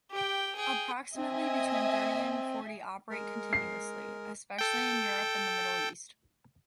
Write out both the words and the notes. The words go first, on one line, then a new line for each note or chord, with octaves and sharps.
Approximately between thirty and forty operate continuously, especially in Europe and the Middle East.
G4 G5
G#4 G5
C4 D#5 E5 G#5
G#3 A#4
C7
A4 G5